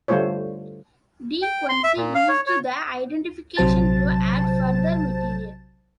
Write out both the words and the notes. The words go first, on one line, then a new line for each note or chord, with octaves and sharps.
De Quincey used the identification to add further material.
D3 G3 A3 F4 C5 C#5
G5
C6
E5
A#2
F5
C#5
C#5
A#1 C3 F#3 C5 A5 A6